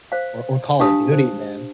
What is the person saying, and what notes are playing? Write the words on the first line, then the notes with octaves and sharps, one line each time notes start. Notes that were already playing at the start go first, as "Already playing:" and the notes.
or or Call of Duty, man.
C5 F5
D4 G4 F5 A5 D#6
C5